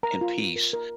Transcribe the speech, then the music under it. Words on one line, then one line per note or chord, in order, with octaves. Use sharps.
and peace.
A#4 A#5
F4
F4
A#4
A#4